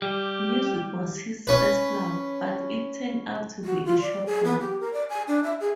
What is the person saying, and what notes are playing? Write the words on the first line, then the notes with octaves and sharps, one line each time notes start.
Music was his first love, but it turned out to be a short one.
G3 G4
C#4 B4
F#4
F4
D5
G#4
B3
G4
A#4
D5
G#5
D4
E5
G#4